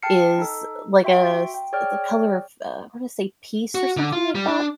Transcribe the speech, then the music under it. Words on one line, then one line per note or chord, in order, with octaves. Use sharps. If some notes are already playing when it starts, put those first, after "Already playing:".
is like a s the color of, uh, I wanna say peace or something like that.
G5 A5 F6 C7 C#7
D#4 A4
F#4 E5 G5 C6 D7
G5
G#4 C#5 D5 G5 F6
F#4
D3
F4
G3
D4